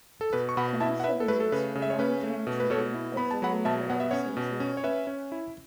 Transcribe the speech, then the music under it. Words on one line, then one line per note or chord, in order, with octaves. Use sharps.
It can also be used for long-term treatment of Zollinger-Ellison syndrome.
A4
B2 B4
C#6
B2 F#5 B5
E4 E5 A5
F#5
E4 B4 E5
A4
A3 B4
A4
C#3 B4
C#3
E5
C#5
C#4 B4
A3
B2
B4
B2 A4 C#5
E4
B3 B5
A5
F#3 F#5 B5
B2 E5 A5
B3 F#5
E5
C#4 C#5 F#5
B2
C#4
C#5
C#4 B4 E5
C#4
E4